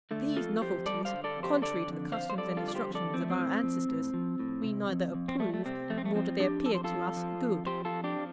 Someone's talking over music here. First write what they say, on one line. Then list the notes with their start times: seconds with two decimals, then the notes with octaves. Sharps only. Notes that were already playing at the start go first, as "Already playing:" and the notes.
These novelties, contrary to the customs and instructions of our ancestors, we neither approve, nor do they appear to us good.
0.11 D3 A3
0.36 F2 F4 A4
0.61 F2 G4 C5
0.86 G3 A4 D5
1.05 C5 F5
1.12 D3
1.24 A4 D5
1.37 F2
1.43 G4 C5
1.62 D3 A4 D5
1.87 F2
2.12 F2 C5 F5
2.30 C5
2.38 G3 A4 D5
2.57 F4 A4
2.62 D3
2.68 D5
2.75 G4 C5
2.89 F2
2.95 A4 D5
3.13 F3 C4
3.21 A3
3.30 C4
3.38 A2
3.63 F3
3.89 A2
4.14 F3
4.40 A2
4.64 C3
4.89 F2
5.14 F2
5.28 C4
5.39 G3 A3
5.54 A3
5.65 C3 C4
5.90 F2 A3
5.98 C4
6.05 A3
6.15 F3 C4
6.40 F2 D4 G4
6.65 F3 A4
6.75 C5
6.84 F4 A4
6.91 F2
7.16 F3
7.41 F2
7.66 F3 G4 C5
7.85 F4 A4
7.91 F2
8.04 D4 G4
8.17 F3